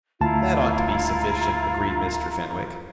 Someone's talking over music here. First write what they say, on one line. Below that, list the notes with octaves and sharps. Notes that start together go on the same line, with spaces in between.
"That ought to be sufficient," agreed Mr. Fenwick.
D2 E4 F4 A5 A#5